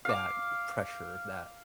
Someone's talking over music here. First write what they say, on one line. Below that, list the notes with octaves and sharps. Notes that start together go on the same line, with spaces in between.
that pressure, that
F5 D6